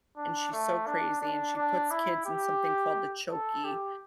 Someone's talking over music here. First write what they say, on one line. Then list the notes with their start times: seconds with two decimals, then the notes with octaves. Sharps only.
and she's so crazy, and she puts kids in something called the "Chokey,"
0.17 D4
0.52 A3
0.87 D4
1.22 D4
1.56 D4
1.91 E4
2.26 G4
3.30 A4
3.65 G4